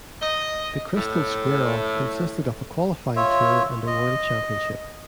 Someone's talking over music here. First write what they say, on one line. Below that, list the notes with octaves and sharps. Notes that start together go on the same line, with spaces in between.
The Krystal Square Off consisted of a qualifying tour and a world championship.
D#5
A2
F4 C#5 E5
D#5